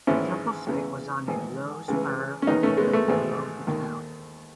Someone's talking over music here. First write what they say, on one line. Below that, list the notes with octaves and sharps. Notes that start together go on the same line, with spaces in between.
The temple site was on a low spur of the hill, below the town.
G#1 G#2 E3 C#4 E4
E2 C#3 E3
G#1 G#2 E3
C#2 C#3 E3
C#4
E2 D#3 B3 D#4
A3 C#4
G#3 B3
A3
G#1 G#2 E3
D#2 D#3